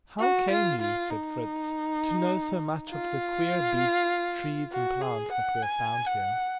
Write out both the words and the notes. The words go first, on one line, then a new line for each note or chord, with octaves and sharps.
"How came you," said Fritz, "to know so much of the queer beasts, trees, and plants that we have found here?"
F#4
F4
F4
D#4
F4
F#4
G#4
F#5
G#5
F#5